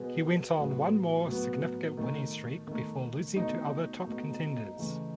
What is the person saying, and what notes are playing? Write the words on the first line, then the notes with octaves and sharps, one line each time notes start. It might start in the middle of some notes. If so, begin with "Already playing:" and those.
He went on one more significant winning streak before losing to other top contenders.
Already playing: B2 G#3 B3
A2 F#3 B3
A2 F#3 B3
D#3 A3
D#3 A3
B2 A3 D#4
B2 A3
C#3 E3 A3